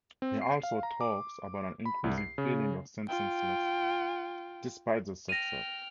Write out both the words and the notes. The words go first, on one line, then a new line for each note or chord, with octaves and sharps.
He also talks about an increasing feeling of senselessness despite the success.
C4
C7
F5
A#5
D6
B5
C2
C7
C#3
F4 G5
G5 F6 A#6 D#7